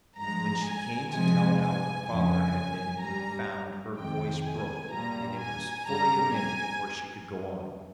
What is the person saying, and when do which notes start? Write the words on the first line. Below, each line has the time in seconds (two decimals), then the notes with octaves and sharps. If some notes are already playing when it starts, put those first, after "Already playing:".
When she came to tell how her father had been found her voice broke and it was fully a minute before she could go on.
0.17 G2 F3 G#3 A#5
0.65 G#5
1.12 C3 F3 G#3 G#5
1.60 G#5
2.07 F2 C#3 F3 G#5
3.02 G2 G3 A#5
3.97 F2 C3 D#3 G#3 G5
4.44 G#5
4.92 A#2 G3 A#5
5.38 G#5
5.86 G2 G3 A#5
6.34 G#5